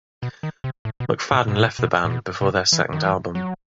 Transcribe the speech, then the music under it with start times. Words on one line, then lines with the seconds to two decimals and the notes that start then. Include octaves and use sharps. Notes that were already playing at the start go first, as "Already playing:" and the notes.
McFadden left the band before their second album.
0.23 B2
0.43 D#3
0.64 C3
0.85 A2
1.00 B2
1.32 A2
1.48 B2
1.56 A2
1.64 B2
1.79 B2
2.05 A2
2.10 B2
2.41 C3
2.73 E3
2.93 D#3
3.04 E3
3.35 F#3